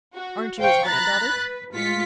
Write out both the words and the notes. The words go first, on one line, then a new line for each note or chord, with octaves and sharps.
"Aren't you his granddaughter?"
F#4
C5 F5 G5 C#6
A#5 B5 F#6 A6
B4
A2 G#3 F4 B6 C#7